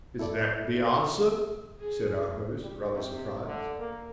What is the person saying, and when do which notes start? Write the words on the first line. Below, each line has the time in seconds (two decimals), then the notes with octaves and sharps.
"Is that the answer?" said our host, rather surprised.
0.19 E4 A4 D5 E5
1.80 G#4
2.63 G3
2.93 C3
3.46 D3
3.79 A#3